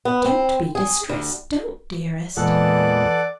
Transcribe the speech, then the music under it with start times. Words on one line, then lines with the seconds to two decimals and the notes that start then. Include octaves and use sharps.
"Don't be distressed; don't, dearest!"
0.05 B3
0.25 C4
0.75 G#4
1.09 D2
2.37 E2 A#2 E3 G#3 A4 D5 F#5